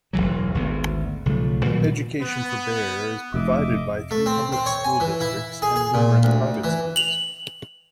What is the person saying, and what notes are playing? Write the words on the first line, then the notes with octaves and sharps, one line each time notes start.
Education for Bear is provided by three public school districts and numerous private schools.
E1 F2 E3 F#3
G#1 D2 C3 B3
B1 C#3 F3 A3
A#2 D#3 F#3 G3
B3
F1 D#5 E5 D6
A3
C4
C4
C#5
G#5
E3
E4
G#4
G#4
A#2
D2
E3
F7 F#7